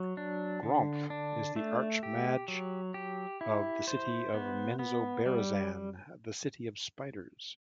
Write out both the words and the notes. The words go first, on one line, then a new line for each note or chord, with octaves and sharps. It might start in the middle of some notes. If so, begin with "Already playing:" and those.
Gromph is the Archmage of the city of Menzoberranzan, the City of Spiders.
Already playing: F#3
D4
D3
D4
A3
G4
F#3
G4
E4
C5
B3
B3
G3